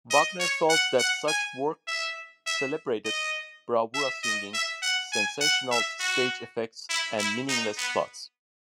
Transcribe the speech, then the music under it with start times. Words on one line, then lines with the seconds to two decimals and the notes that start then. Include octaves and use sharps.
Wagner felt that such works celebrated bravura singing, sensational stage effects, and meaningless plots.
0.10 D#5
0.40 C#5
0.69 F#5
0.99 F#5
1.28 G#5
1.87 E5
2.46 E5
3.05 D#5
3.94 E5
4.23 D#5
4.54 E5
4.82 F#5
5.12 G#5
5.41 F#5
5.71 E5
6.00 F#4
6.90 E4
7.18 E4
7.49 D#4
7.78 B3